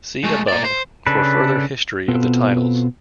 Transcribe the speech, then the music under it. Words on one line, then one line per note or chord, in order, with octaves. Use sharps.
See above for further history of the titles.
G#3 A3
A#3 D5
C5
C#3 D4 A4 B4
B2 B3 C4 F4 A4